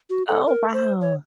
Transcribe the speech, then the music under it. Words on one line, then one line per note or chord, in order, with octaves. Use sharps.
Oh, wow.
F#4
A4
A#4
C5
C#5